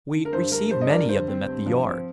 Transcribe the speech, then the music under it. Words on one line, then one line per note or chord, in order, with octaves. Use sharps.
We receive many of them at the Yard.
D3
A#4
G2 C5
G2 A#4
G2 C5
D#5
G2 A#4 D5
D3 C5
C4
G2
F3
C4